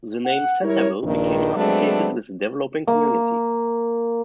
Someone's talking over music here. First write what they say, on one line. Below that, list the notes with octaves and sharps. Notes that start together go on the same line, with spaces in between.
The name Centerville became associated with the developing community.
F#5
G3 E4 A#4 C#5
A#1 G2 D#3
F#3 G#3 A3 B3 C4 D4
A#3